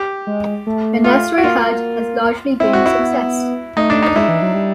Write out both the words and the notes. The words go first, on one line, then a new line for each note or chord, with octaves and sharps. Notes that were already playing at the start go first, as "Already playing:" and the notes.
The nursery herd has largely been a success.
Already playing: G4
G#3
A3
F4
F#4
A#3 F4
C4 E4
F#4
E4
B3
A3 D#4
D4
D#4
G#3 E4
E3
F#3
G3